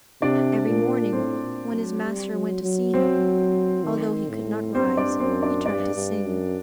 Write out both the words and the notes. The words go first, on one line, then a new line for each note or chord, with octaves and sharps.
Every morning, when his master went to see him, although he could not rise, he tried to sing.
C3 D4 D5
A#2
A2 C4 C5
A#2
F#3
G3
F#3
F#3
C4 C5
D#3
A2
G2 C4 C5
D4 D5
F#2 C4 C5
D4 D5
G2 D4 D5
G2
F#2